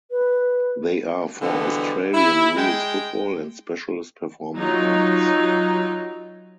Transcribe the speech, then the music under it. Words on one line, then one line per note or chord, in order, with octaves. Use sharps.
They are for Australian rules football and specialist performing arts.
B4
B2 D3 E3 F3 G3 G#3
E4
G#3 G5
F#3 D#4 F4